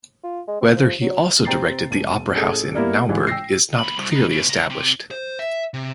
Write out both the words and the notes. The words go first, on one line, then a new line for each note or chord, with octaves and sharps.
Whether he also directed the opera house in Naumburg is not clearly established.
F4
G#3
C4
F3
F#3
C3 C4 G5 A#5 A6 C7
E1 D#7
A1 G#4 A4
G3 A#3 B3 E4 A#4 D5
A1 G#2 E3
G5 E6 A#6 C7
D#2 B5
C2 C3
D#4 B4
B2 E3
C#2 A#5
C4 G4
C5
E5
C3